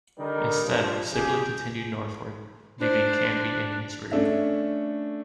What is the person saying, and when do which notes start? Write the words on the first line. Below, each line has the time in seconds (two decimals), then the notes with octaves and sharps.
Instead, Sibley continued northward, leaving Canby in his rear.
0.18 D3 D#3 G3 D#4 A#4
0.65 G2 F3
1.12 C#3 G4 G#4
2.80 D4 C5
4.12 A3 C#4 D4 A4 E5